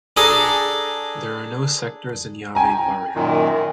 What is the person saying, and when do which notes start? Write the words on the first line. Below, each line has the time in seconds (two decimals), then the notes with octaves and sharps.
There are no sectors in Llave barrio.
0.17 D4 G#4 A4 A5 A#5
2.55 G5 G#5 A#5
3.15 F#2 A#2 D#3